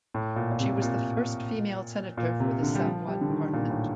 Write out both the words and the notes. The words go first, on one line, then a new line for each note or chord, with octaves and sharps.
She was the first female senator for the Savoie department.
A2
A#2
A#2
C3
A#2
A#2
C3
D3
G3
F3
G3
D3
D#3
A#2
A2